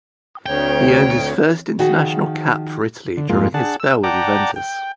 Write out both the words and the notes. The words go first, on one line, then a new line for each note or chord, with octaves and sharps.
He earned his first international cap for Italy during his spell with Juventus.
D2 C4 C#5 G5
D#3 F3 F#4 G#4
D3
F2 G#2 G#3 A#3 F4
D4 G#4 F#5 A5
E6
D5 F#5 G5 A5 A#5 D6
G5